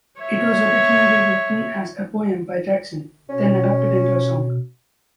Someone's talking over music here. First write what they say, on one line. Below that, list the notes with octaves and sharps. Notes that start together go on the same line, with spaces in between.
It was originally written as a poem by Jackson, then adapted into a song.
C#5 E5
B2 C#4